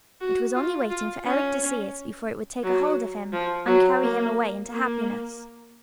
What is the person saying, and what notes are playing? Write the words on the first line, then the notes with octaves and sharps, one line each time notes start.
It was only waiting for Eric to see it before it would take hold of him and carry him away into happiness.
F#4
F4
F4
C#4
F#3
F3
F#3
A#3
A#3